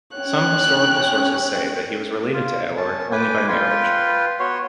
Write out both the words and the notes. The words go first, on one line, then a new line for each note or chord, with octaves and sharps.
Some historical sources say that he was related to Alaric only by marriage.
C#4 C#5 G5 F#6
F4
C#4 A5
B4 G5 G#5 D6
F4 B4 G5 C6
B3 F#4 C#5 C6